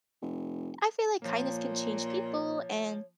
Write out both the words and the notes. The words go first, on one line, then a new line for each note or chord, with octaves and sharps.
I feel like kindness can change people, and
F1
A#2 F3 A#3 C#5